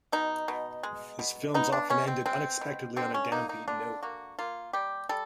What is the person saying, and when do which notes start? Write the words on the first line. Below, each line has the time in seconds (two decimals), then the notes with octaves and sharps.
His films often ended unexpectedly on a downbeat note.
0.12 B2 D#4
0.48 B2
0.83 G#3
1.19 B2
1.54 B3 D#4
1.72 D4
1.90 B2 C#4
2.08 C4
2.25 G#3 C4
2.61 B2
2.96 D3 C4
3.14 C#4
3.32 A#3 D#4
3.49 D#4
3.68 D3 D4
4.03 A#3 F#4
4.39 A#3 F4
4.73 G3 G4
5.09 G3 A4